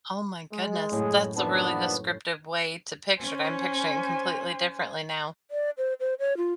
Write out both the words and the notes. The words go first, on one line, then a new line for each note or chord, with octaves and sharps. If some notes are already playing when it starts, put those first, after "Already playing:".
Oh, my goodness. That's a really descriptive way to picture it. I'm picturing completely differently now.
G#3
F#2 A2 G#4
D#2 F3 B3 D4 A5
C#4 C5 G#5
D5
C5
C5
C#5
F4